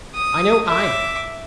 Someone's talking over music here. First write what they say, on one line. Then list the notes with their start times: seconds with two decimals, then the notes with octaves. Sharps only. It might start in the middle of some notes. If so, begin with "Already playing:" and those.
I know I have.
0.15 D#6
0.66 E5 D6